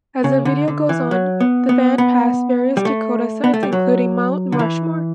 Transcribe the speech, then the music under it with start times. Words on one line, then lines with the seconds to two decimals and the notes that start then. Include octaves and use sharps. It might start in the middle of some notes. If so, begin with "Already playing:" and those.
As the video goes on, the band pass various Dakota sights including Mount Rushmore.
0.24 C#3
0.45 D3
0.68 D3
0.89 E3
1.11 F#3
1.40 B3
1.69 B3
1.98 B3
2.77 G3
2.85 A3
3.44 B3
3.54 A3
3.63 G3
3.73 F#3
4.52 D3
4.59 E3